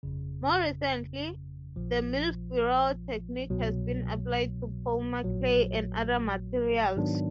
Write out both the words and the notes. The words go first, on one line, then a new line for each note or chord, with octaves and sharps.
More recently, the millefiori technique has been applied to polymer clay and other materials.
G1 F2 C#3
A#1 A#2 F3
C2 B2 F#3
A#1 A#2 F#3
G#2 D#3 F#3 B3 D4